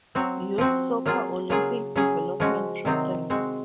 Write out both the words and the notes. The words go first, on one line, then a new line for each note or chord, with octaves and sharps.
Youth Soccer Olympic Development Program.
F#3 C4 F#4
F3 C4 F#4
F#3 A#3 F4 G#4
C#3 F#3 A#3 F4 G#4
C#3 F#3 C#4 G#4
F3 G#3 C#4 F#4
C3 D#3 F#3 C4 D#4
G#3 C4 F#4